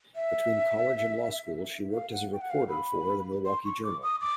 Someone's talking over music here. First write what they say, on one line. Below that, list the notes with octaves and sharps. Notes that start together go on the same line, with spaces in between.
Between college and law school she worked as a reporter for "The Milwaukee Journal".
E5
F5
F#5
G5
F#5
F5
B5
C6
C#6
D6
D#6
D6